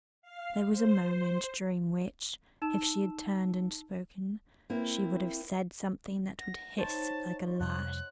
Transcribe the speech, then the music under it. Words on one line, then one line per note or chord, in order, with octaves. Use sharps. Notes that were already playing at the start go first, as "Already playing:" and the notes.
There was a moment during which, if she had turned and spoken, she would have said something that would hiss like a lash.
F5
C5
D#4 A5 E6 E7
A#3 C4 E4
F#5 A#6
D#4 C5 C#5 A5
F2 C3 G3 F#6